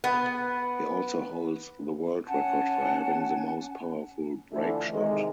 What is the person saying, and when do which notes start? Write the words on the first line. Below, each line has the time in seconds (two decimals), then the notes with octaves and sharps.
He also holds the world record for having the most powerful break shot.
0.04 B3
2.28 C#4 F#5 G#5 A5
4.53 D3 E3 F3 A3 D4 A4
4.91 G#2 C3 D#3 G#3